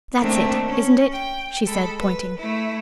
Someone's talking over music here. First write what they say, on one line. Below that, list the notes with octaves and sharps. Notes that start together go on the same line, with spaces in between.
"That's it, isn't it?" she said, pointing.
D#3 A3 A#3 C4 D4
C#4
G5
G#3 A4 B5
B4
A3 E4